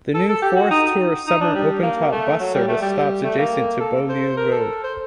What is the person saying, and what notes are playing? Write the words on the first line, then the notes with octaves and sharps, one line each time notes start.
The New Forest Tour summer open top bus service stops adjacent to Beaulieu Road.
A4
A4
G4
F#4
D#4
D#4
D4
G3
A#3
A3
F#3
G3
A3
G3
A3
A#3
A4
C5
A#4
A4
C5